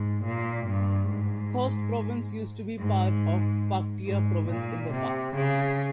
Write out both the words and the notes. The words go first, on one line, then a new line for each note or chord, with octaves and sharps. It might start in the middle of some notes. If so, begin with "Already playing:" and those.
Khost province used to be part of Paktia province in the past.
Already playing: G#2
A#2
G2
G#2
G#2
G#2
A#2
C3
C#3